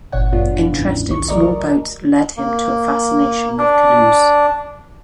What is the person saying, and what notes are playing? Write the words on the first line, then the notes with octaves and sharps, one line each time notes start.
Interest in small boats led him to a fascination with canoes.
G1 A#2 C#5 F#5
F#2 B3 D4 F4
D#2 G#2 C#3 E3
A#1 C#6
F#3 A3 A#4 D5 D#5
A#3
D4